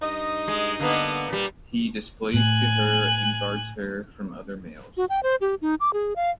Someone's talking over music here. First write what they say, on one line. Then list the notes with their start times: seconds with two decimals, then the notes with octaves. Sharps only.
He displays to her and guards her from other males.
0.02 G2 D#4 D#5
0.48 G#3
0.80 D3 A#3 B3
1.29 A#2 G3
2.34 A2 G#5 F#6
4.97 F#4
5.09 G5
5.23 C5
5.41 G4
5.62 D#4
5.80 D6
5.93 G#4
6.16 F5